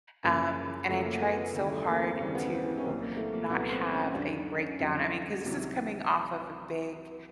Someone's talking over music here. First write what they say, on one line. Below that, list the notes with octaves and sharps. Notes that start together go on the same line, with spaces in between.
um, and I tried so hard to not have a breakdown, I mean, 'cause this is coming off of a big,
F#2 C#3 F3 A#3
F#2 C#3 F3 A3
A#3
B3
B3
D#2 C#3 E3 G3
A3
A#3
C4
D#2 C#3 E3 G3 C#4
B3
C4
C4
C#4
C2 A#2 F#3 C4
A#3
A3
A#3
C2 A#2 F#3 B3
C4
C#4
F2 D3 F#3 D4
D#4
C#4
F2 D3 F#3
C2 C3 D#3 F#3